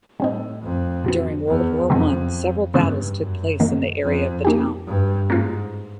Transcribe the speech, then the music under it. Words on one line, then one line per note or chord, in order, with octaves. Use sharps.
During World War One, several battles took place in the area of the town.
A2 G3 C4 D#4
F2
A2 F#3 B3
E2
F2 C3 D#3 F#3 A3 C4
G2 C#3 E3 G#3 B3
F#2
D#3 F#3 A#3
F2
A#3 D#4 G4
G2
G#2 A#3 C#4 F4